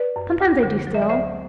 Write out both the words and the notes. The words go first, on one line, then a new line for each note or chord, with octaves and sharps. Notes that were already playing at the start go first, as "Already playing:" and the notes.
"Sometimes I do still."
Already playing: B4 D5
F#2
D2
D3
F#3
E5
D5
D2 C5 E5